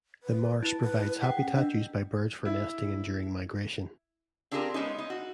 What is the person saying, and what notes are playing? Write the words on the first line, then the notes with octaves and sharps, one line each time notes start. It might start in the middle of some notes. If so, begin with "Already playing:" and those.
The marsh provides habitat used by birds for nesting and during migration.
B4
E4 B4
B4
G#4 F#5 G5
C#4
D4 D#5
E4
C4 D4 F4 G4 G#4 A#4
G#3 B3 C#4 D#4
D#4
F#4